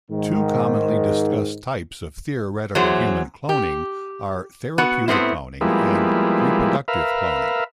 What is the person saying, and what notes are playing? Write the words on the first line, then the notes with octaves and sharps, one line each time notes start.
Two commonly discussed types of theoretical human cloning are "therapeutic cloning" and "reproductive cloning".
G#2 D#3
E2 F#3 G#4 C5
G4
B3 F#4 F#5
A2 B3 C4 E4
F3 G3 G#3 A#3 B3 E4
A#4 B4 E5 F5